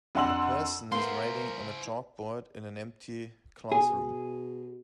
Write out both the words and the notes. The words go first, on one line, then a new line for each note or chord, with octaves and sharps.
A person is writing on a chalkboard in a empty classroom.
F2 D4 F#5 C6 E6 F#7
A3 B3 E4 A#4 C5 F5 C6
B2 G#4